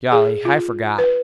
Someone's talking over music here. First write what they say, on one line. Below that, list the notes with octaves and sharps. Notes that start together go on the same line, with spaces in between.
Golly, I forgot.
G#4
F4
B4